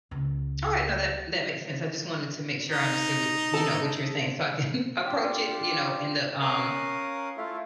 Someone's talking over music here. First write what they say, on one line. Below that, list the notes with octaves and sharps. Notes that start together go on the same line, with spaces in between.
Alright, no, that that makes sense. I just wanted to make sure I understood what you know, what you're saying so I can approach it in the, um,
C#2
D#4
A4
D4 F4 G4
C#4 A#4 F5 D#6 F#6
A3 E4 F4